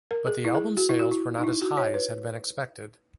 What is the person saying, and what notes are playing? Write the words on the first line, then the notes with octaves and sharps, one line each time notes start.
But the album sales were not as high as had been expected.
A#4
G#4
E4
G#4
F#4
E4
F#4
E4
D#4
E4
F#4
C#5
B4